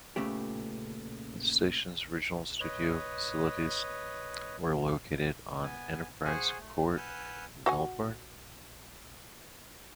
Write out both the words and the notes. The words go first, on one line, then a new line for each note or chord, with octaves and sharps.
The station's original studio facilities were located on Enterprise Court in Melbourne.
A#2 C#3 A3 B3 G4
B4 C#5 D#5
B3 G#5
G#4 C5 F#5 G#5 C#6
A3
B4 F#5 G#5 E6 F6 G6
F#4 F#5 G#5